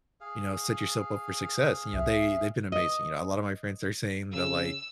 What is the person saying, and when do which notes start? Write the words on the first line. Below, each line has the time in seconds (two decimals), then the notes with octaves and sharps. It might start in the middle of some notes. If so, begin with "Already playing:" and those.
you know, set yourself up for success. You know, they they've been amazing, you know, a lot of my friends are saying that, like,
0.21 G#4 F5
1.94 C2 E5
2.72 D#5
4.32 C#3 E6